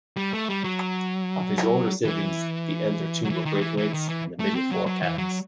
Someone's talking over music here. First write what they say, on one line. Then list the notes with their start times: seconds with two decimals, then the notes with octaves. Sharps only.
Of his older siblings, the elder two were Braithwaites and the middle four Cannons.
0.17 G3
0.33 A3
0.49 G3
0.64 F#3
2.05 E3
3.24 F#3
3.30 E3
3.45 D#3
3.61 E3
3.77 E3
3.93 D#3
4.09 E3
4.40 A3
4.55 C4
4.71 F#3
4.87 F#3
5.02 E3
5.18 F#3